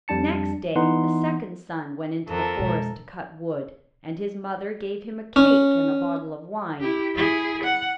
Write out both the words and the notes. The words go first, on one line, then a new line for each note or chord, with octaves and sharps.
Next day the second son went into the forest to cut wood, and his mother gave him a cake and a bottle of wine.
F2 G3 D4 A5 C#7
E3 B3 D#4 F#5 C6
F2 A4 A#4
B2 G#3
C#4
E4 G4
E4 G#4
F#5